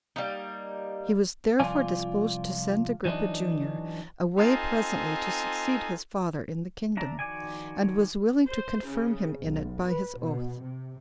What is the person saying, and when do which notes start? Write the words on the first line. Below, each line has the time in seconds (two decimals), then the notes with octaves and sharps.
He was therefore disposed to send Agrippa, junior, away presently to succeed his father in the kingdom, and was willing to confirm him in it by his oath.
0.16 G3 A#3 D#4
1.60 C2 F3 F4 D5 G#5
3.05 E3 F#3 G3 D4 D#4
4.38 C4 D#4 F4 A4 D#5 G#5
6.97 D4 E5 A5 A#5
7.19 D#3 F3 F#4 D5 G#5
8.48 C5
8.87 C#3
9.39 B1
9.87 B4
10.20 B2
10.61 C3